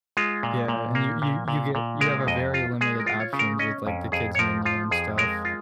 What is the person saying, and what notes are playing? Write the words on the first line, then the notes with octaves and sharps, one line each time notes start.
yeah, and you you you get you have a very limited options with like the kids' menu and stuff.
G#3 F4
A#2
A#2
A#3
A#2
A#2
A#2
G#3 A#4
F2 D#5
F4
G#3 G#4
A#4
F4
C#5
C#3
A#4
C#4 D#5
F2
F2 G#4
C#5
F3 A#4
F3 F4
F2 G#4
G#3 A#4
F4